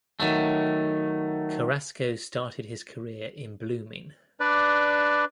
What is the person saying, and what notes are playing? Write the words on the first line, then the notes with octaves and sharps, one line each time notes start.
Carrasco started his career in Blooming.
D#3 F#3 A3
D4 B4 D5